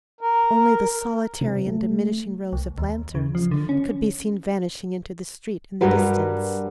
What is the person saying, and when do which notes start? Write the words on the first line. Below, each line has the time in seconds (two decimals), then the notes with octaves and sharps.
Only the solitary and diminishing rows of lanterns could be seen vanishing into the street in the distance.
0.21 A#4
1.41 C3
1.67 A3
2.53 C2
2.78 D#2
3.15 C#3
3.35 F3
3.51 D3
3.69 C#4
5.81 G2 G3 F#4 A#4 B4